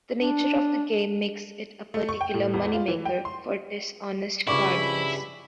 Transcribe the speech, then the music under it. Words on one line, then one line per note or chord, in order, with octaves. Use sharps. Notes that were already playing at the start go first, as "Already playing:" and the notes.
The nature of the game makes it a particular money-maker for dishonest carnies.
D4
A3
C#6
G5
A2
E2
F4
E3
G5
C6
C#2 G2 E4 B5 C#6 D6